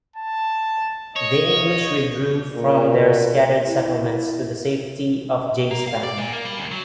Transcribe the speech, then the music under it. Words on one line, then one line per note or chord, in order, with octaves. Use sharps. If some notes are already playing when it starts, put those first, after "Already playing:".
The English withdrew from their scattered settlements to the safety of Jamestown.
A5
C#5 D#5
A#2
E4
A#3
F5
D5
A#2
A#3
G3
D2
F#3